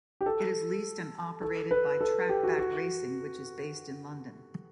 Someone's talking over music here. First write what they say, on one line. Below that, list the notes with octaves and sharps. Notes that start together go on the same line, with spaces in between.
It is leased and operated by Trakbak Racing which is based in London.
G4
A4
A4
B4
A4
G4
F#4
F#4